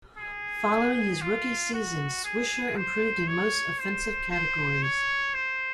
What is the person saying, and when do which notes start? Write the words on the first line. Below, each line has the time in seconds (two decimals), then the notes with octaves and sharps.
Following his rookie season, Swisher improved in most offensive categories.
0.18 G#4
1.21 F4
1.73 F#4
2.25 G#4
2.76 C5
3.28 C#5
3.79 C5
4.31 C5
4.82 C#5
5.34 C5